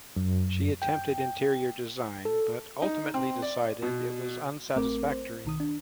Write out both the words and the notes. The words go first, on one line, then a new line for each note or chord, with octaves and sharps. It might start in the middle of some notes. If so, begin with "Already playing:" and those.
She attempted interior design but ultimately decided it was unsatisfactory.
F#2
G5
A4
D#4
C4
D5
B2
A1 A3 C4 A#4 D6
C5
B1 D#3 D#6
D4